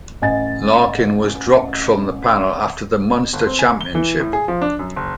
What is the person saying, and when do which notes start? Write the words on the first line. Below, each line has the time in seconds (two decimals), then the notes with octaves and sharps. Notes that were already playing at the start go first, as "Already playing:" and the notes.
Larkin was dropped from the panel after the Munster Championship.
0.22 A1 D#5 G#5 A6
3.33 G1
3.46 C4
3.59 G#5
3.81 G7
3.95 E3
4.20 A2
4.33 G#4
4.48 F3
4.62 D4
4.79 F#2
4.96 F#1